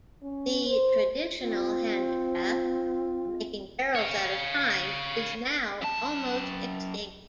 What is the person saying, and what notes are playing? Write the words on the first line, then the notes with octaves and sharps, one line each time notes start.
The traditional handicraft of making barrels out of pine is now almost extinct.
C#4
C5
C4 F4
C#5 F5
F#2 A5